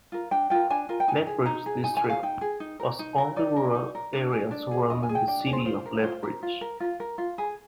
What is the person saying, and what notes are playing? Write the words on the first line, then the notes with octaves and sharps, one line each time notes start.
Lethbridge district was all the rural area surrounding the City of Lethbridge.
F4 A#4
D4 G5
F4 A#4 G5
D4 G#5
F4 A#4
G5
D#4 G#5
G#4
D#4 A#5
G#4
D#4 G#5
G#5
G#4
F5
D#4 G5
G#4
D#4
A#4
D#4
A#4
D#4 D5
A#4
D#4
A#4
D4
G#4
D4 D5
G#4
D4 D#5
G#5
G#4
G5
D4 G5
D5
G#4
C5
F4 C5
A#4
F4 C5
A#4
F4
A#4
F4
A#4
F4
G#4